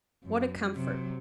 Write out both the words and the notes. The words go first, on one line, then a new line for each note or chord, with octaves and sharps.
What a comfort.
F#2
C3 F#3